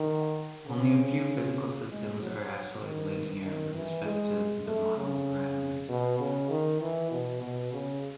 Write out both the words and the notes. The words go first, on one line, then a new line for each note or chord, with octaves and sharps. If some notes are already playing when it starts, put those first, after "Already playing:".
Only a few physical systems are actually linear with respect to the model parameters.
Already playing: D#3
C#3
G#3
F#3
D#3
D#3
E3
G#3
A3
C#3
B2
C#3
D#3
E3
B2
B2
C#3